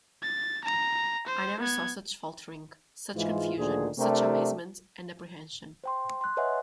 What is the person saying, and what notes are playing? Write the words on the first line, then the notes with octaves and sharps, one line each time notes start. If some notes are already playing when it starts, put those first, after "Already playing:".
I never saw such faltering, such confusion, such amazement and apprehension.
A6
A#5
C5
B3 G#6
G#2 E3 G#3 F4
D2 A#2 D3 D#3 G#4
C3 A3 D4 G4 A#4
C5 G5 C6
C6 F#6
B4 C#5 D#5 E5 F#5 G#5